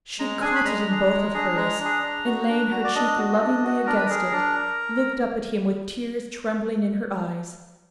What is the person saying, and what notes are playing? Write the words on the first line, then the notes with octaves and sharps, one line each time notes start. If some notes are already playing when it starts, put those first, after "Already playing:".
She caught it in both of hers and laying her cheek lovingly against it, looked up at him with tears trembling in her eyes.
G#3 A#5
D4 G#4 G#5
B5
G#3 A#5
D4 G#4
G#3
D4 G#4
G#3 A#5
D4
G#4
D4
F#4
D4
F#4
D5
D4 D#5
F#4
D4
F#4
D4 A#4
B4
G#4 A#4
D4